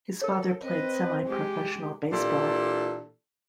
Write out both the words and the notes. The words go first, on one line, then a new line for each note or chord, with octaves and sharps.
His father played semi-professional baseball.
A4 A#4 C#5
C4 B4 D#5
G#3 G4
A#2 E3 D4 G4 A4